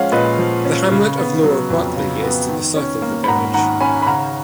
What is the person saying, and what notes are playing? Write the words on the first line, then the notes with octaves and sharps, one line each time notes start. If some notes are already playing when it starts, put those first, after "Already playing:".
The hamlet of Lower Whatley is to the south of the village.
Already playing: F3 G#3 C#4 C#5 F5 F#5
A#2 B4 D#5
F3
C#4
C#3
B3
F#3
F2
C#3
B3
D#3
C#4
A#3
B5
G#2 F#5 A#5
D#3 F#5 A#5
C#4 G#5 B5
B5
C#3 F#5 A#5